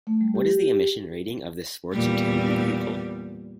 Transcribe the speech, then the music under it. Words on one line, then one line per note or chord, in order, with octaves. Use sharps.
What is the emission rating of this sports utility vehicle?
A3
G3
G4
E2 A#2 G3